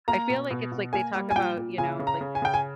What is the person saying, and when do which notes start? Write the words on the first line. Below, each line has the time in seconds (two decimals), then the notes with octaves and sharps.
I feel like it's like, they talk about, you know, like,
0.08 A#3 A#5
0.29 B2
0.51 B2
0.72 B2
0.93 A#3 G#5
1.15 G3
1.30 G#5
1.35 A#2 G5
1.57 A#2
1.78 C#3 G#5
1.99 C#3
2.07 A#5
2.21 C#3
2.35 G#5
2.42 C#3 G5
2.54 G#5